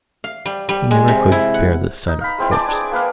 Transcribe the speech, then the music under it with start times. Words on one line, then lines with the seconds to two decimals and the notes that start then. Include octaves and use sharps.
He never could bear the sight of a corpse.
0.24 F5
0.45 G3
0.69 G3
0.91 G#3
1.08 C3
1.32 E4
1.54 F#5
2.08 D#4
2.21 F5 B5
2.38 G#3 C4 E4
2.51 D5 G#5 A5 D6
2.68 D4 G#4
2.92 A#3 B4 F5